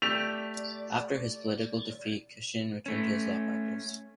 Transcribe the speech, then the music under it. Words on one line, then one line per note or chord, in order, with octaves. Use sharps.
After his political defeat, Cashin returned to his law practice.
A3 G4 D5 F7
A3 C#4